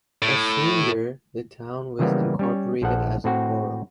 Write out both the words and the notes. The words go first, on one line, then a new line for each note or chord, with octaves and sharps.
That same year, the town was incorporated as a borough.
A2
C#3 E3 F3 G3 A#3 B3
G3 C#4 C#5
A#1 F3 A4 F#5
A2 C4 F#4